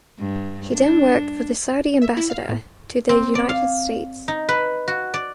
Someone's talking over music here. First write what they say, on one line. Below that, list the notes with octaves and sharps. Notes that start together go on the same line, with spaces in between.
He then worked for the Saudi ambassador to the United States.
G2
D4
E5
E4
F5
A2
C4
D5
F5
D#4
B4
F#4
D5